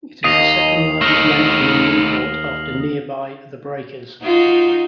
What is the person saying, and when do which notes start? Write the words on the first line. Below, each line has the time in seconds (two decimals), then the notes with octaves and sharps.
It is the second largest mansion in Newport after nearby The Breakers.
0.24 D#2 D#5 D#6 C7 F7
1.01 A3 D#4 F6 A#6 F#7
4.23 D#4 F4 F#4